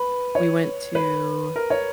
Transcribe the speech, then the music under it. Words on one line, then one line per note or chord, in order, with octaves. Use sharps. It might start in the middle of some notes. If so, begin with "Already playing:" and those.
we went to,
Already playing: B4
C#5
B4
A#4
C#5